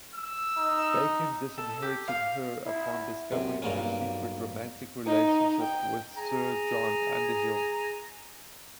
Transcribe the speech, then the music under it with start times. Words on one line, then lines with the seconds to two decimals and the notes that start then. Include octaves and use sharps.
Bacon disinherited her upon discovering her secret romantic relationship with Sir John Underhill.
0.15 E6
0.58 D#4
1.58 A4
1.82 G4
2.08 F5
2.66 E4
3.32 F#2 C3
3.62 B1 G2 A#3 C#4
5.07 D#4
5.60 G5
6.17 G#4 A#5